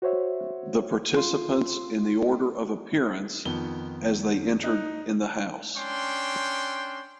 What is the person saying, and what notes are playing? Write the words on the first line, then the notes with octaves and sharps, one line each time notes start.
The participants in the order of appearance as they entered in the house.
F#4 C5 C#5 E5
F4 C6
F2 D#3 B3 G7
D#4 F#6
C#4 D4 G5 C6